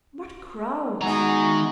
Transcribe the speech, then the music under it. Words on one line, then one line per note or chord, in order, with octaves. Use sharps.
What crowds!
D#3 G#3 B3 D#4 E4 F#4 G#4 A#5